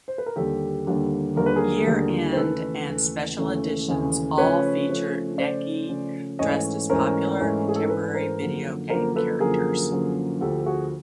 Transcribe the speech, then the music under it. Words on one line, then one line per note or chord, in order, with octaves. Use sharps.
Year-end and special editions all feature Necky dressed as popular contemporary video game characters.
C5
B4
A#4
D#2 D3 G3 A#3 D4 G4 A4
D#2 D3 G3 A#3 D4
D#2 D3 G3 A#3 D4 A#4
B4
G#4 A#4
D#2 D3 G3 A#3 D4
C5
D#2 C#3 E3 A3 A4 B4
D#2 C#3 E3 A3
D#2 C#3 E3 A3
D#2 C#3 E3 A3
C#3 F3 A3 C#4 B4 C#5
C#3 F3 A3 C#4
C#3 F3 A3 C#4 C5 D5
C#3 F3 A3 C#4
G#2 E3 A3 C#4 C#5 D#5
G#2 E3 A3 C#4 A#4 C5
G#2 E3 A3 C#4
G#4
A4
A#4
G#2 E3 A3 C#4 A4 B4
A#4 C5
F#2 D3 F3 A#3
F#2 D3 F3 A#3 A#4 C5
A4 B4
F#2 D3 F3 A#3 G#4 A#4
F#2 D3 F3 A#3
D2 D3 F3 G4 A4
F#4 G#4